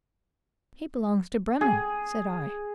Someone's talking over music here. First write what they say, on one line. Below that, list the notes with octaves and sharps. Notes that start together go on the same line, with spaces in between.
"He belongs to Bremen," said I.
G#4